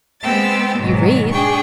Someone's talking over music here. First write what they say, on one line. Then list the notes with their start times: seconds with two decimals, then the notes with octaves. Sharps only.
"You read."
0.22 G#3 B3 C4 G5 E6 A6
0.78 G#2 B2 D#3 F#3
1.31 D4 G#4 G5 C#6